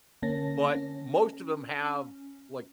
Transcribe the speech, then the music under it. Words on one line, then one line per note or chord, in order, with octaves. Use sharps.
but most of 'em have, like,
D3 A#3 C#4 A5 A#6
C#4